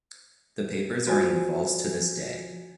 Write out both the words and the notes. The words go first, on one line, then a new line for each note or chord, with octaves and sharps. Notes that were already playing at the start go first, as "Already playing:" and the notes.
The papers are in the vaults to this day.
F3 F#4 G#5